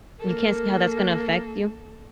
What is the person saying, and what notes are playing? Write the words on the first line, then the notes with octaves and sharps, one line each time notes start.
you can't see how that's gonna affect you?
A#3 A4 A#4